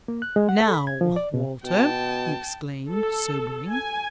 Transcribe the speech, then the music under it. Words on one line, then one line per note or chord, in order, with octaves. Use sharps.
"Now, Walter!" he exclaimed, sobering.
A#3
F#6
G#3
F#5
A4
B5
G#6
F3
D5
B2
B2 G5 A5
A4
G#5